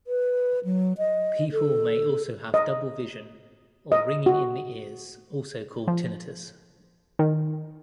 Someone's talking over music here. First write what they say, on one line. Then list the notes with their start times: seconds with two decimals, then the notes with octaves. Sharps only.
People may also have double vision or ringing in the ears, also called tinnitus.
0.07 B4
0.65 F#3
0.98 D#5
1.52 A4
2.54 D#5
3.92 D#5
4.26 F#4
5.88 F3
7.19 D#3